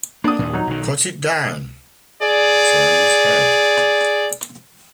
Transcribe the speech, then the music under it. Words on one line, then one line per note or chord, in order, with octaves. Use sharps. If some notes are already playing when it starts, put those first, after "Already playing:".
Put it down; turned his head.
A#3 D4 D#6
D#2 A#2
F#3 D#4
B1 D#3
G#4 D5